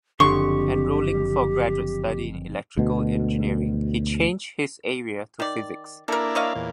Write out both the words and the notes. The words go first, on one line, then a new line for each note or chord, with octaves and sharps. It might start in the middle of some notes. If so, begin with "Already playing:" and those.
Enrolling for graduate study in electrical engineering, he changed his area to physics.
F#1 F2 D3 G4 C6 C#6
D2 B2
D#3 D5
A#3 D4 E4 A4 A#4
C#5 D#5 F5
E2 A#2